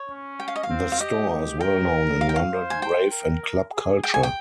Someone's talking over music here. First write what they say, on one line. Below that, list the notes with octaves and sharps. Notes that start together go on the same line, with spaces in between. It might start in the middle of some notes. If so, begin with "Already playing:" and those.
The store is well known in London rave and club culture.
Already playing: C#5
C#4
G5
F5
D#5
F5
C4
F5
G4 D#5
G4
A#4 G5
F5
G5
F5
C5
G#5
G5
A#4
G#4
G#4 G5
G#5
G5